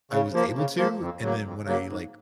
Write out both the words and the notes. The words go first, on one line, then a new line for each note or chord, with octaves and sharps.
I was able to, and then when I, like,
C#3
F3 A#3
C#3
F3 A#3
F2
C#3 F#3 A#3
F2
C#3 F#3 A#3
G#2